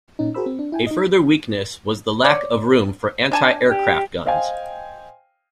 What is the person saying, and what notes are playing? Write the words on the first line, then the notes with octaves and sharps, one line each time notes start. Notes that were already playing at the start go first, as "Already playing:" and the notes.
A further weakness was the lack of room for anti-aircraft guns.
A#2 C#4 D#4
F#4 G#4 A#4 C5 B5 E6
C4
D4
E4 G5 G#5
D#4 D#5
C#5 D5
D4 G#5 A5
G4
C5 D#5 F5 G5 G#5